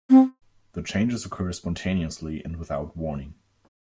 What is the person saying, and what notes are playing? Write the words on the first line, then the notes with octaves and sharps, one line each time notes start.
The changes occur spontaneously and without warning.
C4